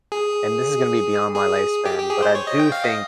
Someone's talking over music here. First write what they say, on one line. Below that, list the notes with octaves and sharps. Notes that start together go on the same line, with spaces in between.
and this is gonna be beyond my lifespan, but I do think
G#4
G#4
G4
G4
G#4
C5
C#5
D#5
G5
F5
D#5